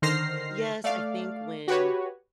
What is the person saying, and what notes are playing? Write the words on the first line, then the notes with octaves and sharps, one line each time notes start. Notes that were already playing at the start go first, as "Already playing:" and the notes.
Yes, I think when,
D3 D#3 C5 F6 A#6 C7
A3 D5 F5
F#4 G4 B4 C#5